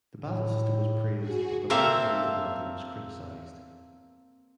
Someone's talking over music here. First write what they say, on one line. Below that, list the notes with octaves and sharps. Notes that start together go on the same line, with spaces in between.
The battle system was praised, but the lack of originality was criticized.
A2
F#4 G#4
A#3 C4 A4 E5 F5